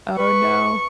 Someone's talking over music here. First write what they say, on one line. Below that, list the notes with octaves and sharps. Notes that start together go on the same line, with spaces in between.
Oh, no.
B4 C#6